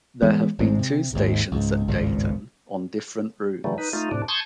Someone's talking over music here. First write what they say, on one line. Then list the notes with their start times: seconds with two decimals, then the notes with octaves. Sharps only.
There have been two stations at Deighton, on different routes.
0.22 E3 G#3 B3
0.58 G#1 G#2 G#3 C4
0.79 C3
1.13 G#1 D#2 G#2
1.51 C#2 G#2
1.87 G#1 C#2 G2 A#2
3.64 C#3 E3 F#3 G3 A3
3.78 D#4 B4
3.93 A3 D#4 F4
4.11 A2 C3 D4
4.28 A5 C6 C#6 D#6 G6 G#6